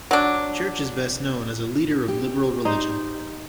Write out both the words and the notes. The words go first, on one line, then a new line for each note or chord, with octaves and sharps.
Church is best known as a leader of liberal religion.
F#3 D4
G4
D#4 C5